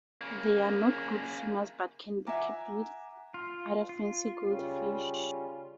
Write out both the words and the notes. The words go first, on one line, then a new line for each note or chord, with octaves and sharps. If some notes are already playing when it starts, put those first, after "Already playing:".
They are not good swimmers but can be kept with other fancy goldfish.
C#3 A#3
E5 F#5 G#5 A#5 D6
F4
F4
C#3 G3 C#4